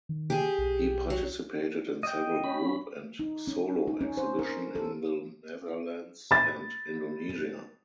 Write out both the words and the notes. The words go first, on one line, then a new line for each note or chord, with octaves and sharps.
He participated in several group and solo exhibition in the Netherlands and Indonesia.
D#3
G4 G#4
B1
F#3
D#5 G5
C#4 B5
D#4
C#4
D#4
C#4
C5
A#4
A4
B5 A6